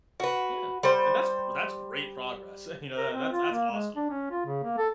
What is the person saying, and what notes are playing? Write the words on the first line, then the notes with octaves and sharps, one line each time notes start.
Yeah. And that's w that's great progress, uh, you know, tha that's that's awesome.
F#4 B4
G3 C5
A#4
C4
F4
A#3
G#3
D4
C#4
F4
C#3
A#3
A4